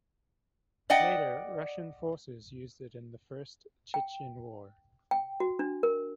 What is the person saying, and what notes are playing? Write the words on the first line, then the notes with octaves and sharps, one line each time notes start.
Later, Russian forces used it in the First Chechen War.
D5 D#5 F#5 G5
G5
G5
F#4
D4
A#4